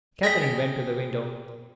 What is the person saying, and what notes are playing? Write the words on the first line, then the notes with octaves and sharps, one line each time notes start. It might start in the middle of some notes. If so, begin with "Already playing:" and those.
Catherine went to the window.
G#4 G5 A#5 A#6 B6